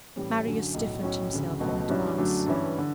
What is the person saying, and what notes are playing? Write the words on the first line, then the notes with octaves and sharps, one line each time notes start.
Marius stiffened himself in advance.
A2 E3 G3 C#4
F#2 D3 F#3
B1 A2 F#3
B1 A2 F#3 C#4
D2 C#3 F#3
C#2 B2 F#3 A3
G2 F#3 C#4 E4
F#2 D3 F#3 A3 D4
G2 E3 G3 C#4 E4
D3